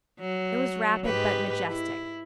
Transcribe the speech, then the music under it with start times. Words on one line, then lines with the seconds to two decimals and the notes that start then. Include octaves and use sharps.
It was rapid but majestic.
0.20 F#3
1.05 G#2 G4 B4
1.67 E4